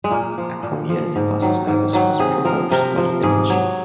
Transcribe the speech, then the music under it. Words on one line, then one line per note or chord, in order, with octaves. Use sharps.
A community bus service was proposed for the village.
G#3
A#2 A#3
F3
A#2
F3
G#2
D#3 F#3
G#2
D#3 F#3
C3 G#4
F3 A#4
C3 A#4
F3
G#2 G#4
F#3 C#5